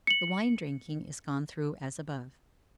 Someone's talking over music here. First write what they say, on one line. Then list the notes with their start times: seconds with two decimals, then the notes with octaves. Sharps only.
The wine-drinking is gone through as above.
0.07 C#7 F#7